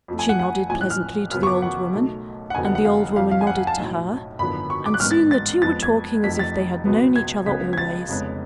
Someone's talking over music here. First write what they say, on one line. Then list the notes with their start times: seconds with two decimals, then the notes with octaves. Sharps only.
She nodded pleasantly to the old woman, and the old woman nodded to her; and soon the two were talking as if they had known each other always.
0.08 F2 F3 A3
0.19 G#5
0.29 F#5
0.39 F#5
0.70 A1 A2 F3 G#5
0.81 F#6
0.90 F6
1.31 F#2 C#3 F3 B3 F6
1.43 C#6
1.47 D6
1.62 F#5
1.93 B1 B2 A3
2.50 F#5
2.55 F1 F2 D3 F#3 B3 G#5
2.65 F#5
2.75 F#5
2.85 F5
3.16 F1 F2 F3 F5
3.31 F5
3.41 G#5
3.47 F#5
3.57 F#5
3.67 A5
3.77 B1 A2 F#3
4.39 G#1 F#2 D3 F3 B3 B5
4.70 C#6
4.86 D6
4.94 F#6
5.00 A1 G#2 G#3 B3 F6
5.11 A6
5.31 A6
5.62 F2 F3 G#3 B3 A6
5.83 G#6
6.24 F1 F2 F3 A3 B6
6.39 A6
6.85 C#2 B2 F#3 B3
7.16 G#6
7.46 C#2 C#3 F#3 B3 B6
7.73 G#6
7.78 A6
8.08 F1 F2 C#3 G#3 B3